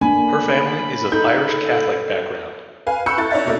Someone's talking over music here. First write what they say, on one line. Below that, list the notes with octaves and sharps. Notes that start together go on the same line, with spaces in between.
Her family is of Irish Catholic background.
A3 A#3 D4 G#5 B5
D#4 A4 G6
B4 F5 G#5
B5 C#6 E6 F#6 G6 C#7
E4 A4 A6
D#4 C#5 D5 E5 A6
B2 A3 A#3 E4